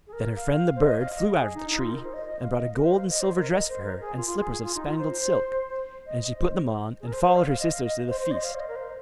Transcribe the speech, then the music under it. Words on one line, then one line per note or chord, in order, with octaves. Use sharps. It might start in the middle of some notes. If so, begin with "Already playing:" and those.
Then her friend the bird flew out of the tree, and brought a gold and silver dress for her, and slippers of spangled silk; and she put them on, and followed her sisters to the feast.
G#4
A#4
F5
C5
D#5
F5
D#5
G#4
D#4
D#4
F4
A#4
C5
D#5
D#5
F5
D#5
A#4
C5
F5
D#5
C5
A#4
D#5
C5
A#4
G#4
F4
F4
G#4
G#4
F4
D#4
F4
C5
D#5
D#5
C5
G#4
A#4
C5
C5
F5
F5
D#5
F5
D#5
C5
C5
D#5
F5
C5
D#5
A#4
C5